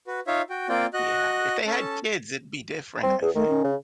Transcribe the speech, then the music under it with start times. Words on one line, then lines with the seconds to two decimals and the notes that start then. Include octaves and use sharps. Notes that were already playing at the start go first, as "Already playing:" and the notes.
Yeah. If they had kids, it'd be different, I think.
0.07 F#4 B4
0.27 D#4 F4 C#5 E5 F5
0.50 F#4 G5
0.69 A#3 C4 F4 D5 G5
0.94 F#4 D#5 F#6
1.67 C#4 A4 A5
3.03 G3 C4
3.22 E2 G#4
3.35 D#3 A3
3.49 C#4
3.64 C#3